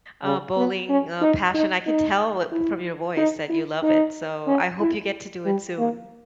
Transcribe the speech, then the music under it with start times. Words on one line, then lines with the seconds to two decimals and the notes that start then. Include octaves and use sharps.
uh, bowling, uh, passion. I can tell it from your voice that you love it, so I hope you get to do it soon,
0.25 C#3
0.57 B3
0.89 C#4
1.22 D#4
1.55 D#4
1.87 D#4
2.52 E4
3.17 D#4
3.50 E4
3.83 D#4
4.47 C#4
4.81 E4
5.46 G3
5.78 A#3